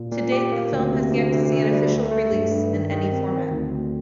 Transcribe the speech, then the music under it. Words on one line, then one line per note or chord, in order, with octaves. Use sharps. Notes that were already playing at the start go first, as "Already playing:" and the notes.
To date, the film has yet to see an official release in any format.
Already playing: A#2
A#2
G4
A#3
D2
C3
D2
D2
D2
G3
A3
A3
G2
G2
D#3
D#3
C4
C4
D2
D2